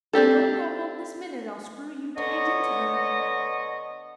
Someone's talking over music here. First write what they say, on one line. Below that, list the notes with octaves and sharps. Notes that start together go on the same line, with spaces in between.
If you don't go home this minute I'll screw you tight into them.'
C4 D4 G4 A4
D3 B3 C#5 D#5